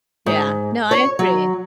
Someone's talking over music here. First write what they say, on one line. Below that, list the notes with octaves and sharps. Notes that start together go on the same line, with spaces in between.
Yeah, no, I agree.
G#2
C#5
F#3